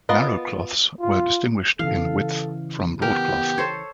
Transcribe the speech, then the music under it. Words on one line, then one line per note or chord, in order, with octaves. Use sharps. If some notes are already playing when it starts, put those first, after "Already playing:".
Narrow cloths were distinguished in width from Broadcloth.
B3 F4 A#4 D#5
F4
C#3 E3 A4 F5
B3 G4 A#4
A4 C5 C#5